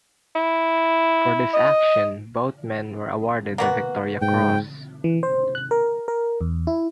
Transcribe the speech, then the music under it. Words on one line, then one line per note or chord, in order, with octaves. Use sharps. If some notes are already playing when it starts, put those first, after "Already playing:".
For this action both men were awarded the Victoria Cross.
E4
D#5
A#3 B3 F#4
G#2 G5
E3
C5
F#6
A#4
A#4
E2
E4